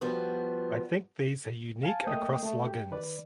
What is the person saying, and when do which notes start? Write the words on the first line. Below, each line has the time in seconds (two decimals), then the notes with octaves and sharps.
I think these are unique across logins.
0.01 F3 G3 B3 F#4
1.83 F5 G#5 A5
2.07 A3 A#3 D#5 G5 D#6
2.43 A3
2.67 G4
2.91 D#3 B4 D5